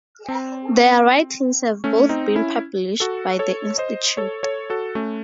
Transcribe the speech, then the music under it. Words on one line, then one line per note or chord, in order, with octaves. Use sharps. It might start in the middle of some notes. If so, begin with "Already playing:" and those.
Their writings have both been published by the Institute.
C4
A3 C#4
C4 D#4
C#4 E4
F#4 A4
A4 C#5
C5 D#5
A4 C#5
A4 C#5
F#4 A4
A3 C#4